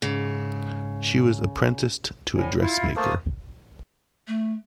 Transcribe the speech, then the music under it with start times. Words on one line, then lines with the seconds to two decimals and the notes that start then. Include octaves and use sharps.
She was apprenticed to a dressmaker.
0.02 G#2 C#3
2.35 D2 A2 G#5
2.60 E4 F4
2.96 A3 A#3 C5 A5 D#6
4.28 A3